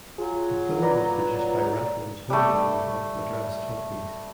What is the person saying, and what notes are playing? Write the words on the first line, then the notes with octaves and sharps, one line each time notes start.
The film was produced by Ratnam's home banner of Madras Talkies.
F#3 F4 G#4
B4 D5 A#5
G3 A3